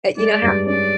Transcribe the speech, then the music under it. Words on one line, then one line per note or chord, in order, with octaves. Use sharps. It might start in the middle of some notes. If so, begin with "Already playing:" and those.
uh, you know how
G#3 D5
G2
C#4 D5